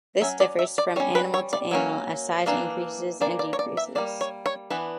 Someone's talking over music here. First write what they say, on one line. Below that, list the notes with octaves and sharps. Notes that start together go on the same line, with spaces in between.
This differs from animal to animal as size increases and decreases.
F#3 C#4 E5
D5
E5
D5
G3 C#4 C#5
B4
C#5
D5
F#3 A#3 C#4
E3 A#3 D4
E3 A#3 D4 D5
D5
C#5
D5
E5
G3 A#3 D4 D5
C#5
C#5
E3 B3 D4 B4